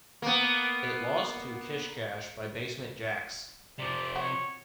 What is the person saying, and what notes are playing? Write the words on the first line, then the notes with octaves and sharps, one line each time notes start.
It lost to "Kish Kash" by Basement Jaxx.
A#3 B3
C3 F3 D5
F#4 C#5